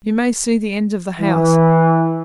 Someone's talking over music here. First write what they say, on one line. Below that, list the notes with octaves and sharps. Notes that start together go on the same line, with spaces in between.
You may see the end of the house.
E3